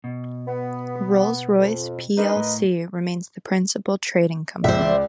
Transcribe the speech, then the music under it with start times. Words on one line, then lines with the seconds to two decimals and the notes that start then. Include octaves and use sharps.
Rolls-Royce plc remains the principal trading company.
0.04 B2
0.48 B3
1.59 F2
2.17 D4 D#4 A#4 B4 D#5
2.35 A2
4.64 C#2 C5 D5 E5